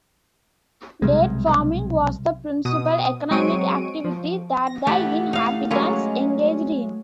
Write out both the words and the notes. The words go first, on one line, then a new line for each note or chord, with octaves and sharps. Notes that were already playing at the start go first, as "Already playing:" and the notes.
Date farming was the principal economic activity that the inhabitants engaged in.
B1 C3 G3 G#3
B2 D#6
F#3 G#3 C4 C#6 D7 D#7
F3
A#6
E3 A3 G4 F#5
D#4 F5
F#3 G#3 A#3 C#4 E4 F4